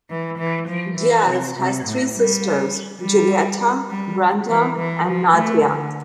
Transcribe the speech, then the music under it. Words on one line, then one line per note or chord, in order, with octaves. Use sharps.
Diaz has Three sisters, Julieta, Brenda and Nadia.
E3
E3
F3
E3
C3
C3
A2
G3
G3
G3
E3
E3
F3
A3
D3